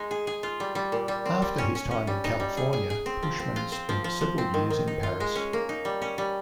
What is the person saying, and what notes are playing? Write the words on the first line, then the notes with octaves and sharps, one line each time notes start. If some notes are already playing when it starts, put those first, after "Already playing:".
After his time in California Pushman spent several years in Paris.
Already playing: G#3 D#4
G#4
G#4
F4
G3
G3
A#2
G3
C4
G3
C#4
C#4
C#4
G3
D#4
G3
G#4
G#4
G#4
C4
F3
C4
F4
C4
F3
F3
F3
C4
D#3
D#3
D#4
F4
G#3
C#4
A#3
D#4
G3
C#4
G3